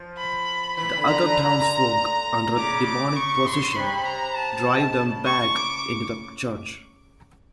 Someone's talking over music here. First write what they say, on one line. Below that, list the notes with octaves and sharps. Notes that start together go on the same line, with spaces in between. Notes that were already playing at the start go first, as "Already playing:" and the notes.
The other townsfolk, under demonic possession, drive them back into the church.
Already playing: F3
B5
E3 B5
D3
A#5
D3
C#3 D6
D6
C#6
C6
C3 B5
A#5
A5
C#3
C#6
D6